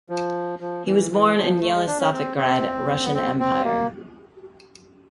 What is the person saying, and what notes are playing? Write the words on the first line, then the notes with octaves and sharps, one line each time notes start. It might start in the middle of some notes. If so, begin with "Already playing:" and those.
He was born in Yelisavetgrad, Russian Empire.
F3
F3
E3
E3
F3
A3
G#3
D4
C#4
C4
C4
B3
C4
C4
A#3